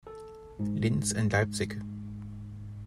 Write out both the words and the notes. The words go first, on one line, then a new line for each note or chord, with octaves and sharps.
Linz and Leipzig.
A4
G#2